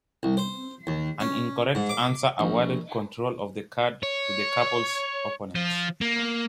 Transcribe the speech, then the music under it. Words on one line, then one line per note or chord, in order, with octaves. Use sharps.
An incorrect answer awarded control of the card to the couple's opponents.
C2
C5
D#2
C#4
G#2
D6
A#1
C#5
F3
A#3